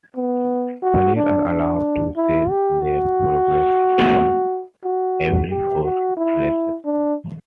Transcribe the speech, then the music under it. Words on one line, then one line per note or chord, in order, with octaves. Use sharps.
Players are allowed to save their progress once every four races.
B3
F#4
D4
D4
E4
G4
F#4
F#4
G4
F#4
E4
D4